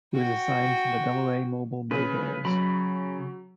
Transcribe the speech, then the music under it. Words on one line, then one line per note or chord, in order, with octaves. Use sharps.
He was assigned to the Double-A Mobile BayBears.
F#4 G5
C#3 B4
C#3 F#3 B5